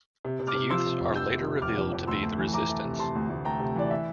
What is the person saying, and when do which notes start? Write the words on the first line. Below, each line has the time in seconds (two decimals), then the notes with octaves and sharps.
The youths are later revealed to be the Resistance.
0.25 C3
0.40 C3
0.47 D6 F6
0.55 C3
0.70 F3 C6 E6
0.86 C3
1.00 F1
1.15 F3 E6 G6
1.31 C3
1.47 C3
1.62 F1 D6 F6
1.77 F2
1.92 F2
2.07 D2 C6 E6
2.23 A3
2.38 E3
2.53 E3 A#5 D6
2.69 A3
2.84 C3
2.99 C3 A5 C6
3.15 D2
3.29 D2
3.45 A3 G5 A#5
3.60 C3
3.76 E3 D5
3.91 E5